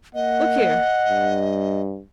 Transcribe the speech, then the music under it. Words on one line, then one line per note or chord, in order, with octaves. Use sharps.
Look here!
A#3 D#5 F#5
G2